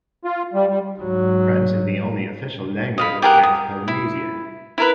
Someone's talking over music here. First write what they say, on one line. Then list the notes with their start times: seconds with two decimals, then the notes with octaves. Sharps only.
French is the only official language of French Polynesia.
0.25 F4
0.54 G3
0.69 G3
0.99 G#2 F#3
2.98 D#5 F5 B5
3.22 G4 G#4 A#4 F#5
3.43 D#6
3.88 E4
4.78 E4 A#4 B4